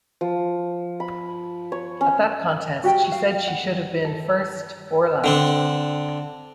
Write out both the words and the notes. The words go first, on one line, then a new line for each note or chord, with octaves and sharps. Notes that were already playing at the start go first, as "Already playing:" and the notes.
At that contest, she said she should have been "first or last".
F3
B5
C#5
C#4
F#4 G4 G5
F5
F#5
A4
D3 C4 D4